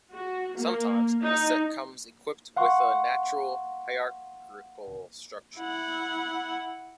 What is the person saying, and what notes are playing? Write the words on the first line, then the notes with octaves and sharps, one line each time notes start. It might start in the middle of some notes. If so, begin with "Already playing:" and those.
Sometimes, a set comes equipped with a natural hierarchical structure.
F#4
A#3
D#4
F5 F#5 C6 C#6
E4 F#5